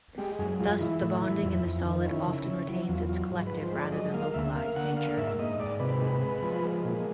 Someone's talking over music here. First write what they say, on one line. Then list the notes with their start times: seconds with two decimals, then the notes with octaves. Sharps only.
Thus, the bonding in the solid often retains its collective rather than localized nature.
0.18 G#3 G4
0.39 F#2 G#4
0.60 G#3 F4
0.81 E3 E4
1.01 A2
1.22 E3
1.43 F2
1.64 F2
1.85 D#3
2.01 F4
2.06 C#4 E4
2.26 C#3
2.48 C#4
2.68 F#3 E4
2.88 E2 F4
3.09 F#3 F4
3.31 G#2
3.47 B4
3.52 F3
3.62 C5
3.72 G#3
3.78 D5
3.92 F#3 D#5
4.14 A#3 F5
4.34 D2 E5
4.55 A#3 F5
4.76 D3 F#5
4.96 A#3 F5
5.17 G#2 E5
5.38 G#2 D#5
5.59 G#2 D5
5.80 C3 B4
6.01 G#3
6.21 G#3
6.42 F3
6.64 G#3
6.85 A#2